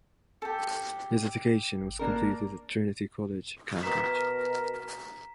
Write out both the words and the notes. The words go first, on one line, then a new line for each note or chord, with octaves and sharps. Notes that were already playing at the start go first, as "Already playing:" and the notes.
His education was completed at Trinity College, Cambridge.
G4 A4
G#1
A#3 D4 A#4
B2 A#4 A#5 B6 E7